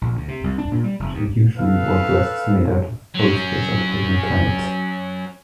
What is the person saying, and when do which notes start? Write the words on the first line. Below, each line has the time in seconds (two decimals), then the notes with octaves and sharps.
She usually wore dresses made out of posters of different kinds.
0.01 A#1
0.15 D2
0.28 C3
0.44 C2
0.58 D4
0.72 A#2
0.84 G3
1.00 F1
1.14 D#2
1.57 A4 B4 F5
3.14 F#3 C#4